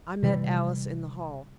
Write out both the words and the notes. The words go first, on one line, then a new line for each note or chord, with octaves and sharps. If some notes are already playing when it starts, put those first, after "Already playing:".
I met Alice in the hall.
C3 E3 G3